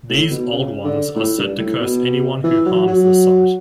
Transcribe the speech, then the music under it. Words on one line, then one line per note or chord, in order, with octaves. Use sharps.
These "Old Ones" are said to curse anyone who harms the site.
A2
B2
C#3
D3
A2
G2
A2
B2
E3
F#3
F#3